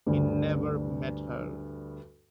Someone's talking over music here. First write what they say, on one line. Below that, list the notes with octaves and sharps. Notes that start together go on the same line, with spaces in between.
He never met her.
D2 G2